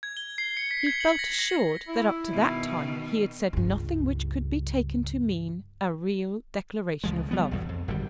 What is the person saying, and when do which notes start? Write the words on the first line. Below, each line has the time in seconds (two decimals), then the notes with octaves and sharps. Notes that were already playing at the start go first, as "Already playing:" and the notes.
He felt assured that up to that time he had said nothing which could be taken to mean a real declaration of love.
0.03 G#6
0.17 G7
0.38 C7
0.57 C#7
0.71 B6
0.87 G#6
1.00 F#7
1.19 A#6
1.39 A#6
1.88 E4
2.28 B2 D#3
3.53 C#2 G2
7.04 C#2 F3 G#3
7.31 G3 B3
7.51 B1 E2 G#2
7.69 F2
7.88 G#1 D3 G3